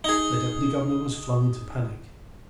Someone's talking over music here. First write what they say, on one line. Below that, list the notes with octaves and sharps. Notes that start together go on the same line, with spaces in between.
The Deputy-Governor was flung into panic.
D#4 G#4